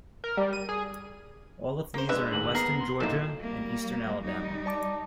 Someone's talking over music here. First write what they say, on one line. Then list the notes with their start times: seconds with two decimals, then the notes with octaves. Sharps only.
All of these are in western Georgia and eastern Alabama.
0.24 A#4
0.37 G3
0.53 D#7
0.69 G#4
1.94 A#3 C5
2.09 G#3 D4 B4 E5 F#5 F#6
2.32 D#2 G#2 F#7
2.55 B3 A#4 C7
2.80 C6
3.00 A#2 F3 F#3 A#3 D#4 E4 A4 E7
3.40 G3 A#3
4.23 G3 D#4
4.66 D5 A5 D6